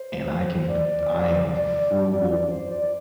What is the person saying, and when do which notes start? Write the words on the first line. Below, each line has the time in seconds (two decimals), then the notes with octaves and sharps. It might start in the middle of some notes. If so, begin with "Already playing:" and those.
And I can p p I am frugal
Already playing: C5
0.68 D5
1.48 D5
2.29 D5
2.49 C5
2.70 D5